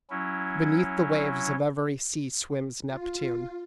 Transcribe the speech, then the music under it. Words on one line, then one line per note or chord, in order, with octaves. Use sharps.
Beneath the waves Of every sea swims Neptune.
F#3 C#4 E4
F4